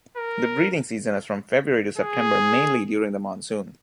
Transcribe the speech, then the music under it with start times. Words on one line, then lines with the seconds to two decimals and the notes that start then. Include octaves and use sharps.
The breeding season is from February to September, mainly during the monsoon.
0.17 A#4
1.98 G#4